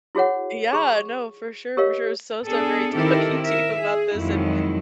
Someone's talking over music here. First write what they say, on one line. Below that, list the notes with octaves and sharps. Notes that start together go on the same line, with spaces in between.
Yeah, no, for sure, for sure, so, so great talking to you about this and
E4 F#4 G#4 C#5 F#5
G#4 C#6
G4 A#4 C#5 D#5 F5
B3 D4 G#4 A4
D#3 C4 E4 G4 A4 A#4
A#4 E5
G#4
F2 D#3 F#3 G#3 E4